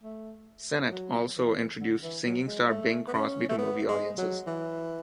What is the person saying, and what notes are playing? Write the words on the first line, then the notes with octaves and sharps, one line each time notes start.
Sennett also introduced singing star Bing Crosby to movie audiences.
A3
F#3
E3
D3
E3
F#3
G#3
A3
B3
C#4
A3
B3
G#3
F#3
E3